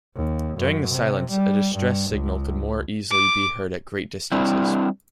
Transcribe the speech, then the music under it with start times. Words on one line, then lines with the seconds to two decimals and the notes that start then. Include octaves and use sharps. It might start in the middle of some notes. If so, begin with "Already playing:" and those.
During the silence, a distress signal could more easily be heard at great distances.
0.15 D#2
0.58 F#2
0.89 C3
1.30 G3
1.76 G2
2.11 C#2
3.11 D6
4.32 G3 C4 D4 E4